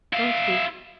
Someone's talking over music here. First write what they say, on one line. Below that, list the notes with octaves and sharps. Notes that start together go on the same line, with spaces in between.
Don't speak.'
E4 F5